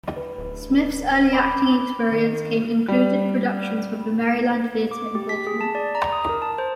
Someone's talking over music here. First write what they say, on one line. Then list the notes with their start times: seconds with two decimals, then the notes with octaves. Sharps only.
Smith's early acting experience came included productions with the Maryland Theatre in Baltimore.
0.16 B4
0.38 D1
1.33 B5 D6
2.12 D#3
2.88 G3
4.91 D6
5.15 G4
5.29 B6
5.47 G#4
5.61 A5
5.75 D5
5.95 A#5
6.13 D#6
6.29 A#4
6.42 A5
6.58 C5